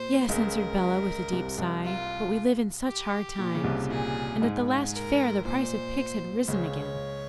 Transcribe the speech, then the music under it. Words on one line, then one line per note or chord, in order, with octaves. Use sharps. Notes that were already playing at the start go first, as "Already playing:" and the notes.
'Yes,' answered Bellah, with a deep sigh; 'but we live in such hard times, and at the last fair the price of pigs had risen again.'
Already playing: A#2 C5
C#2 C#3 A#4
C2 C3
C2 C3
F4
G4
A#2
C#3
C2 C3
A#2 G#4
G#2
A#4
A#2 C5
C#2 C#3 C#5